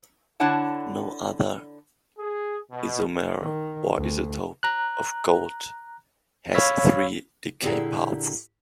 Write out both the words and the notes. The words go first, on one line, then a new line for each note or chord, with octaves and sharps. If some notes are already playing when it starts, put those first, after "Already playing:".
No other isomer or isotope of gold has three decay paths.
D3 D4 E4 C#5 F#5 A5
G#4
B2
D#3
D2
A#5 F#6
C#5 F5 B5 E6 B6
A#2 D3 E4 G4 G#4 A#5